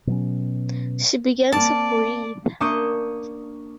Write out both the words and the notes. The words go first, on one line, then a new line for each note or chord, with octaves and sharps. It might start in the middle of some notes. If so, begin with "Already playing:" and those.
She began to breathe.
B2 F#3 C#4
A#3 C4 D5 A5
A#3 D4 C#6 D#6 G6 C#7